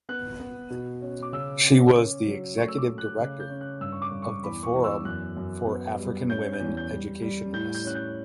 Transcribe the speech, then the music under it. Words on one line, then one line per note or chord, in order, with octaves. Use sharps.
She was the Executive Director of the Forum for African Women Educationalists.
B3 F#6
B3
B2
C#4
D6
C#3 E6
C#4
C#4
F#3
A3 C#6
E6
D6
A3
F#6
C#3 F#6
G6
C#4
F#6
G2 E6
C#6
D6
G2
C#6
E2 B5
C#6
E2
E6
F#2 F#6
F#2
B3
G3
C#4 G6
G6
E2
G6
G3
G3
A2 G6
G6
C#4 F#6
G6